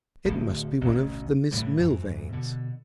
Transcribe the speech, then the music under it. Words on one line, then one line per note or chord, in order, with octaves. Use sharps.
'It must be one of the Miss Milvains.
D1 D2
A1 D2 B2 C#4
A2 D3 E3 G3
F2 G#2 E3
B2 D3